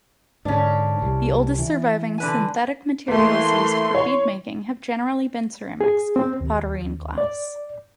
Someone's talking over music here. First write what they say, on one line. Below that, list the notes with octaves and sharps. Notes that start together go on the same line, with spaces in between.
The oldest-surviving synthetic materials used for beadmaking have generally been ceramics: pottery and glass.
G#2 D3 C#4 D4
C2
E3
D3 B4 G#5
E3 A3 A#3 C6
C#5
G#4
C4
D#2
D5